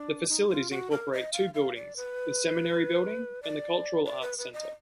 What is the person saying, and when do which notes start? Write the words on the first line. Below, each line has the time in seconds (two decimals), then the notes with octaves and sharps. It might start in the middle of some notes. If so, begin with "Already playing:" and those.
The facilities incorporate two buildings: the Seminary Building and the Cultural Arts Center.
Already playing: D4
0.29 D#4
0.49 F4
0.70 F#4
0.91 A#4
1.13 D#5
1.33 F5
1.54 F5
1.75 D5
1.96 B4
3.43 D5
4.06 D5
4.21 B4
4.38 B4
4.53 D#5